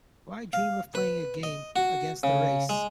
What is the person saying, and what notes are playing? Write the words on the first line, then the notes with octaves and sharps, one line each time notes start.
Why dream of playing a game against the race?
F5
B4
D#5
F#4
C#3
G#3